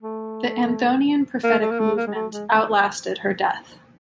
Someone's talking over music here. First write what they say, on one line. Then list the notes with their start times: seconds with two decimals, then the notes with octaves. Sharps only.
The Anthonian prophetic movement outlasted her death.
0.02 A3
1.44 A#3
1.62 A3
1.71 A#3
1.79 A3
1.97 A#3
2.07 G#3
2.14 A3
2.33 G#3
2.50 A3